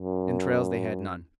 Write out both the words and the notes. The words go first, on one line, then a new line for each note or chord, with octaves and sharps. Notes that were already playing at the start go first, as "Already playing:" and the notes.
Entrails they had none.
Already playing: F#2